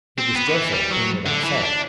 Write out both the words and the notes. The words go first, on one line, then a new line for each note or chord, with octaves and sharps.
It was dreadful, being without salt.
C4
B3
D3
E3
G3
F#3
D3
E3
D4